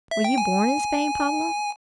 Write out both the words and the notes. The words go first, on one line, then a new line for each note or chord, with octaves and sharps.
"Were you born in Spain, Pablo?"
E5
G5
G#5